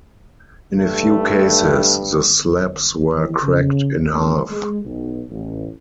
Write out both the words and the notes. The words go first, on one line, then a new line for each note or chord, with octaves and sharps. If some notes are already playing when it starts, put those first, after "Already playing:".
In a few cases the slabs were cracked in half.
G2 A3
E3
C#3
D2
G#3
B1
A1